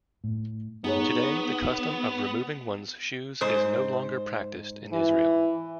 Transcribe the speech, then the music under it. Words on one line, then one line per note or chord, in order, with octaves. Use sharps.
Today, the custom of removing one's shoes is no longer practised in Israel.
A2
B3 D#4 G#4 C#5
G#2 C5
E3